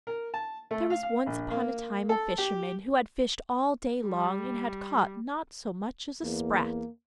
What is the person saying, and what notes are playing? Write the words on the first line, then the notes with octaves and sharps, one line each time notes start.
There was once upon a time a fisherman who had fished all day long and had caught not so much as a sprat.
A#4
A5
A3
F5
F5
A#1
A#3
A4
G4
G3
E2 A#3